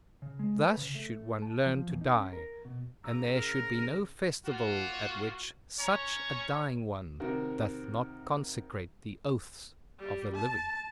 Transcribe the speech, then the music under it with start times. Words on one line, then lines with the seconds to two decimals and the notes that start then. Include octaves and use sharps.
Thus should one learn to die; and there should be no festival at which such a dying one doth not consecrate the oaths of the living!
0.22 C#3
0.39 G#3
0.61 B4
0.77 C#3
0.95 A3
1.42 A5
1.66 F3
1.89 E2
2.01 D#4
2.16 C#4
2.33 A#4
2.65 B2
3.04 C#3 A#5 D6 E6
3.35 A#4
4.45 A#3 F4 F#4
5.79 C#4 C#5 A#5
7.20 C3 D#3 F#4 A#4
9.99 G3
10.36 A5